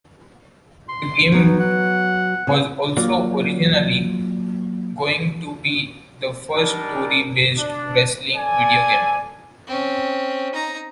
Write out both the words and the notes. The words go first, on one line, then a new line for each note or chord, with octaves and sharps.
The game was also originally going to be the first story-based wrestling video game.
C6
F#3 B3 D#4
F#5
C#3 B3
F#3 A#3 F4 F#4 D5
G3 D4 D#4 A#4
D4
A4 D5 G#5
C4 C#4
D#4 A#5